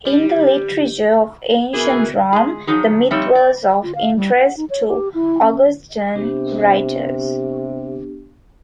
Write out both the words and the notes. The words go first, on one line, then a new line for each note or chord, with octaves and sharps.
In the literature of ancient Rome, the myth was of interest to Augustan writers.
G3
B2 E3 G#4 A#4
G#3 G#4
F3 F#3 D#4 G#4
F3 G3 C4 D#4 C#5 E5
D5
F4
F5
G3
F#5
D#4
C#5
G4
E4
C#4
C3 B3 D4 G4